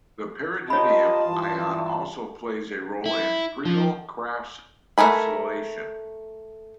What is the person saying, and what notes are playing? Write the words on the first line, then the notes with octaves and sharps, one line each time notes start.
The pyridinium ion also plays a role in Friedel-Crafts acylation.
F4 G4 A#4 C#5 D#5 A5 B5
G2 E3
E4
F3
A3 A#4 G#5 B5